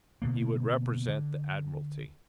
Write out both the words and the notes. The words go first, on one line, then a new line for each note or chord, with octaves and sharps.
He would represent the Admiralty.
B2 D3 A#3
D3